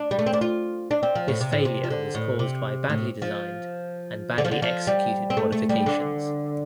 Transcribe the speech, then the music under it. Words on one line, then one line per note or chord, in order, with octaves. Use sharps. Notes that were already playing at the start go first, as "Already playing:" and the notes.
This failure was caused by badly designed and badly executed modifications.
Already playing: D4
G3
A3
C4
D4
F4
D4
C4
F3
A2
C3
A2
C3
F3
D3
A2
C3
A2
F3
D3
F3
D3
F3
G3
C4
A3
A3
G3
D3